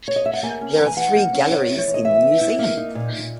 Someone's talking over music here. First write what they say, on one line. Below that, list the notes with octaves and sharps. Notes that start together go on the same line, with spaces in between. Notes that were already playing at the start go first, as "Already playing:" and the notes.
There are three galleries in the Museum.
C#5
D#5
E5
F#5
A#3 G#5
C#4
E3 A#5
G#5
E3 F#5
A#3
C#4
B3 C#5
E4
C#5
E3
D#5
E3 E5
B3
E4
A#3
D#4
A#2
A#2